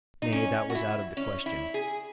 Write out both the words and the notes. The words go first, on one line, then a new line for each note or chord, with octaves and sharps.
Nay, that was out of the question.
D#4
C#4
F#4
E4
C#4
E4
G#4